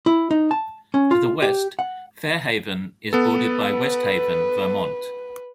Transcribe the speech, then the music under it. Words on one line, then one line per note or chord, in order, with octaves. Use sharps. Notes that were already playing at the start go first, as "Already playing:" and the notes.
To the west, Fair Haven is bordered by West Haven, Vermont.
E4
D#4
A5
C#4
F4
G4
F#5
B3 A4 B4